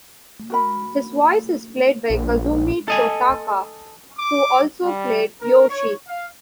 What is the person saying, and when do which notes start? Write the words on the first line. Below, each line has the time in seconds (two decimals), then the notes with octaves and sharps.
His voice is played by Kazumi Totaka, who also played Yoshi.
0.50 F#4 A#4 B5
2.10 A#1
2.88 A4 D#5 G#5
4.18 D6
4.83 G3
5.40 A#4
5.69 C#5
6.06 F5